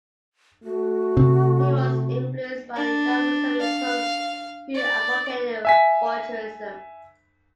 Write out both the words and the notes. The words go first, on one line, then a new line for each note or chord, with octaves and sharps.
He was influenced by the young Soviet poets who advocated Futurism.
A3 F#4
C3 C4
D4
F5
D5
E5 G#5 B6